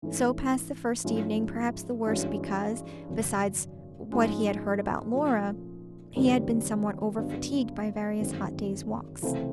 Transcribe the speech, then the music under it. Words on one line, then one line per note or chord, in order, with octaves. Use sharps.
So passed the first evening; perhaps the worst because, besides what he had heard about Laura, he had been somewhat over-fatigued by various hot days' walks.
G#2 E3 A3 C#4
G#2 F3 G#3 C#4 E4
G2 E3 G#3 C#4 F#4
G#1 F#2 C#3
G#2 F3 G#3 C#4
A#2 F3 A3 C#4 F4
F#1 F#2 D#3 G3 C4
G2 D3 F#3 B3
G1 F#2 D#3 G#3 C4
C#2 C3 E3 A3 C4